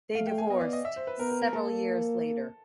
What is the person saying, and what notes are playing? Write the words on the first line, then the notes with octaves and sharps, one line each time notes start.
They divorced several years later.
A3 F5
G5
G#5
B3 D#5
D5
D#5
E5
C5
B4
B3 A#4
A#4
A#4
A#3 A4